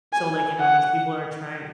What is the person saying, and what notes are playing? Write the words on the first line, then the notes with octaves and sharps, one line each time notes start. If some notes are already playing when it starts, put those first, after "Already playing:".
so, like, you know, these people are trying
G#5
F#5